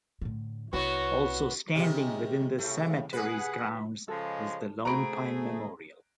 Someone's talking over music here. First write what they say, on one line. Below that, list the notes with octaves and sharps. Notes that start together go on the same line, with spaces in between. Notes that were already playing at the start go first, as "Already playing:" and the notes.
Also standing within the cemetery's grounds is the Lone Pine memorial.
A2 D3
C2 B3 E4 F#4 C#5
C3 D#3 G3 G#3 C#4
A2 C#3 A3
G#4 B4 F#5
C#3 F3 G#3 A4
A3 F#4 G#4 C5 A#5 B5 D7